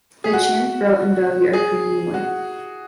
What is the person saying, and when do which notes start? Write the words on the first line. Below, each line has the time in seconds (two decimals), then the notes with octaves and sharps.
The chin, throat and belly are creamy white.
0.24 G#4
0.33 F#4
1.53 G#4
2.14 F#4